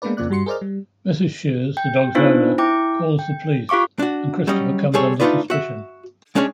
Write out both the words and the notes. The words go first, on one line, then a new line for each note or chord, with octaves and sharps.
Mrs Shears, the dog's owner, calls the police, and Christopher comes under suspicion.
G#3 A#3 B3 D4 B4 D5
F2 C#3 F3 A#3 D5 F#6
G2 G3 F#4 C6 C#7
G#4 A#4 C5 D5 D#5 F6
G3
G5
B3 D4 D#4 F4 C5
E4 G5 D6
G5
F4 G4 F5 C#6 D6
D4 F#4
F#3 G3 C#4 C#5 D#5
G3 C4 G#4 A4 C#5
A3 D4 D#4 F4 B4 D5
F#4 E5
G#3 C#4 D4 G#4 C#5